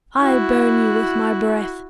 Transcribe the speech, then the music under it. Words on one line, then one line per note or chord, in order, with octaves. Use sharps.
I burn you with my breath!
E4 F#4